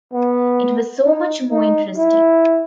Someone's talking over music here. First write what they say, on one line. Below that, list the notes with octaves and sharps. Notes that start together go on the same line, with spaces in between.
It was so much more interesting.
B3
D#4
D#4
E4